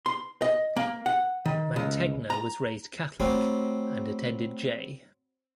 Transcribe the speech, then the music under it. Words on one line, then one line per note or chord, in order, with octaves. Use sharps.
Mantegna was raised Catholic and attended J.
C6
D#5
A#3
F#5
D#3
C#2
A#5
F#3 G3 A3 C4